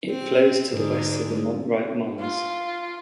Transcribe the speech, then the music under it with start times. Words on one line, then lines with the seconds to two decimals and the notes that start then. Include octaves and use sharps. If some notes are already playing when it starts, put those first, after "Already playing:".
It flows to the west of the Mont Wright mines.
0.10 C4
0.72 G#2 D3 G#3
2.20 F4